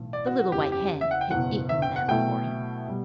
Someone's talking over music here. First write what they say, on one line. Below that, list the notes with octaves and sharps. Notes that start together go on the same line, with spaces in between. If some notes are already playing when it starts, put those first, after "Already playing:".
The little white hen had eaten them for him.
Already playing: B1 A2 E3
D5
F#4
F#4
F#1 E2 C#3 E3 G4
G4
E5
F#5
G5
F#1 E2 B2 F#5
E5
G5
F#5
B2 F#3 A3 E4 A4 G5
B2 G3